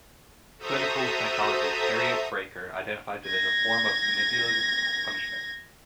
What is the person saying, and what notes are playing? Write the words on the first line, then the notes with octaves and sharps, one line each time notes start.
Clinical psychologist Harriet Braiker identifies it as a form of manipulative punishment.
F#4 A4 C5 E5 A#5 D#6
G#6 A#6